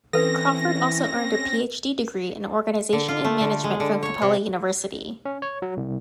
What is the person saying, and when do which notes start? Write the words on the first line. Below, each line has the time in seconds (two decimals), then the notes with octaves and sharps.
Crawford also earned a Ph.D. degree in organization and management from Capella University.
0.13 E3 C4 C#4 A4 B4 A#6
2.93 D3
3.08 F4
3.24 A3
3.41 D3
3.64 G#3
3.80 D3
4.03 C#5
4.22 C3
5.25 C#4
5.42 C#5
5.62 F#3
5.77 C2